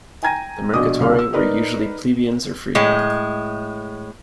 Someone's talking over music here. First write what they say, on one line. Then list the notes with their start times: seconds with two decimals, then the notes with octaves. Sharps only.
The mercatores were usually plebeians or freedmen.
0.23 G5 G#5 A#5 G#6 A#6 D#7
0.73 A#1 B2 D#5 D6 D#6
1.00 C2 C#3 F5 F6
1.19 E6
1.33 D#4 A#4 B4 D5
2.75 A2 G#3